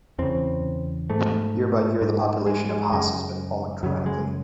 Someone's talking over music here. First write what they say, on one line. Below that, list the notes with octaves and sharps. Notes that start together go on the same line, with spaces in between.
Year-by-year the population of Has has been falling dramatically.
E2 C#3 C4
G#2 A3
G#2
G#3
G#3
F#2 C#3 G#3
F#2 C#3 F#3
G#3